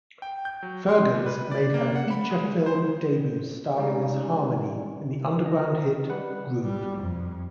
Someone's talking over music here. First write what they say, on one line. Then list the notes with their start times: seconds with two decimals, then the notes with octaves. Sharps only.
Firgens made her feature film debut starring as Harmony in the underground hit "Groove".
0.22 G5
0.45 G6
0.63 F#3
0.89 C6
1.15 G3
1.26 B4
1.51 D5
1.74 A#3
1.96 F#5
2.10 B5
2.31 G#3
2.66 C5
3.78 G3 G#3 C#4 D#4
5.46 D#5
6.10 G3 B4 F#5
6.64 G3
6.99 F2